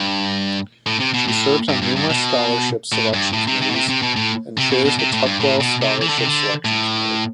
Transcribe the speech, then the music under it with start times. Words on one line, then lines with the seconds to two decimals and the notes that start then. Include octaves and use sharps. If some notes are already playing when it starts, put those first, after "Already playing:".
She serves on numerous scholarship selection committees and chairs the Tuckwell Scholarship Selection Committee.
Already playing: G2
0.87 A2
1.00 C3
1.14 B2
1.28 A2
1.69 G2
1.82 G2
1.96 G2
2.10 B2
2.92 A2
3.14 G2
3.33 A2
3.47 C3
3.62 C3
3.70 B2
3.75 C3
3.89 C3
4.02 B2
4.16 A2
4.58 C3
4.71 B2
4.85 B2
4.99 C3
5.13 A2
5.26 G2
5.40 A2
5.61 B2
5.82 C3
6.02 E3
6.09 D3
6.18 C3
6.25 D3
6.65 A2